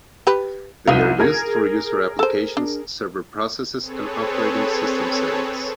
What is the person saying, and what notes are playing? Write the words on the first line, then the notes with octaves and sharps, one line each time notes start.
They are used for user applications, server processes and operating system settings.
G4 B4
C2 D#4 B4 F5 D#7
G#4 A#4 G#6
A4 C5
D4
C4 G#4 A4 B4 C#5